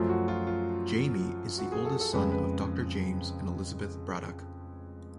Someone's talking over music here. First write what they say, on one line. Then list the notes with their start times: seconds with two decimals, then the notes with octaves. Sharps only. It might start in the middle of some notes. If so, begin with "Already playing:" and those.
Jamie is the oldest son of Doctor James and Elizabeth Braddock.
Already playing: F#2 F3 A3 F4
0.09 F#4
0.28 F4
0.47 F4
1.58 F#4
1.72 G#4
1.85 A4
2.00 A4
2.13 F2 C#3 G#3 B4
2.32 B4